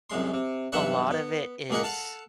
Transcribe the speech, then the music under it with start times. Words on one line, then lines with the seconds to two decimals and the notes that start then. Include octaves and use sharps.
a lot of it is
0.10 C2 F#2 G#3 C6
0.34 C3
0.72 B1 G2 E3 B4 E5 F#5
1.11 B3
1.70 C#2 A#3 G#4 D#5 F#5
1.83 A4 F5 F#5